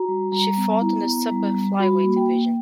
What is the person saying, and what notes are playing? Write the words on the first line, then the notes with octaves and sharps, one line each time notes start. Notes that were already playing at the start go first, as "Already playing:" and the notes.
She fought in the Super Flyweight division.
Already playing: F#4 A#5
G3
G3 A#5
B3
E4
B3
G3
G3
F#4 B5
A#3
G5
A#3